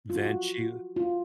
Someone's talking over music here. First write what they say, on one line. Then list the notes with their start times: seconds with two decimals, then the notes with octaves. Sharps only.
then she
0.10 F4
0.16 F#4
0.96 F4